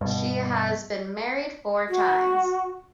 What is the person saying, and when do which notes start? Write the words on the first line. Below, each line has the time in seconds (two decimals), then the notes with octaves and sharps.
She has been married four times.
0.01 G2 B2
1.89 F#4